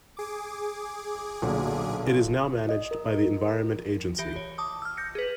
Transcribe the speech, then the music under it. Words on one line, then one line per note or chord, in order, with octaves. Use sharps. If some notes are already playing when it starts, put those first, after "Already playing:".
It is now managed by the Environment Agency.
G#4 D6
B1 A#2 D3
D#5
A#4
E3 G4 A#6 G7
C#5
A5 D6 D#6
E6 F6
G6 A#6 C#7
G#4 B4